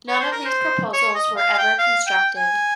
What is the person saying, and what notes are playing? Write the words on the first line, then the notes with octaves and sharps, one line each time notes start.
None of these proposals were ever constructed.
C#5
C5
A#4
C5
C#5
D#5
F5
F5
G5
F5
G5
G#5